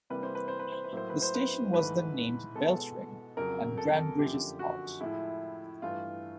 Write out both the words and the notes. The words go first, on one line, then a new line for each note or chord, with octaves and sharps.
The station was then named Beltring and Branbridges Halt.
C3 E3 G3 A#3 B4
C5
B4
C5
B4
C5
B4
A2 F#3 A#3 C5
B4
C5
B4
G#2 E3 A3 B4
B2 G#3 A4
F2 C#3 F#3 A#4
A4
F#2 D3 F3 A#3 G4
F#4
A2 F3 G#3 E4
G2 E3 A3 F4